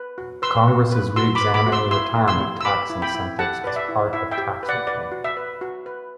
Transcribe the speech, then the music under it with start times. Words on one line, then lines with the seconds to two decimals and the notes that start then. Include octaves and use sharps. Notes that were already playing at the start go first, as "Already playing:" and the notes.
Congress is reexamining retirement tax incentives as part of tax reform.
Already playing: B4
0.18 F#4
0.42 B4 C6 E6
0.68 F#4
0.92 B4
1.16 F#4 C6 E6
1.35 B5 D6
1.41 B4
1.54 B5 D6
1.66 F#4
1.72 C6 E6
1.91 E4 C6 E6
2.16 E4
2.28 C6 E6
2.40 G4
2.61 E6
2.65 B4 B5 D6
2.90 E4
3.02 G5 B5
3.15 E4
3.39 G4 F#5 A5
3.64 B4 D5
3.76 E5
3.89 E4
4.13 E4 E5
4.31 E5 G5
4.38 G4
4.63 B4
4.69 D5 F#5
4.87 B4 D5
5.12 F#4
5.24 E5
5.37 B4
5.61 F#4
5.86 B4